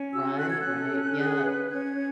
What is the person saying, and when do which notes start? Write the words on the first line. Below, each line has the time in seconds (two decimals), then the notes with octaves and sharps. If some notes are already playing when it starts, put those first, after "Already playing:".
Right, right, yeah.
Already playing: C#4
0.12 F#4 E6
0.38 A4 F#6
0.50 G#6
0.60 F#6
0.66 C#4
0.92 C#4
1.18 G#4
1.43 B4
1.70 C#4 G#6
1.96 C#4